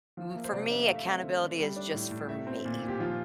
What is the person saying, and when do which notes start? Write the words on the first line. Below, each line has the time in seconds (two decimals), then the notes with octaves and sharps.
mm, for me, accountability is just for me.
0.17 F3 F5
0.34 A#3 E5
0.44 C5
0.53 C3 D5
0.70 D4 E5
0.84 A3 F5
0.96 E5
1.05 C4
1.23 D3
1.41 D3
1.59 G3
1.76 D4
1.93 A2
2.11 A2
2.29 A3 E5
2.47 C4
2.65 A#2
2.82 A#2
2.88 G4
3.00 F3 F4